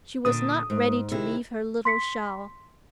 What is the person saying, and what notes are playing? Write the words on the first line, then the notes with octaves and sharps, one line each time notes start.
She was not ready to leave her little shell.
A#2 D3 D4 D#6
G#2
C3 D#3 E4
C6 B6 C#7